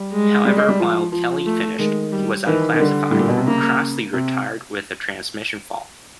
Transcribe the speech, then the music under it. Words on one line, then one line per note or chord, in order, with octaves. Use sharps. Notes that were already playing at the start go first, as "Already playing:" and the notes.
However, while Kelly finished, he was unclassified; Crossley retired with a transmission fault.
Already playing: G3
G#3
G3
G#3
G3
F3
F3
A3
D#3 G#3
G3
D#3 E3
D#3
D3 G3
A2 G3
A#2
B2
C3
C#3 A#3
C3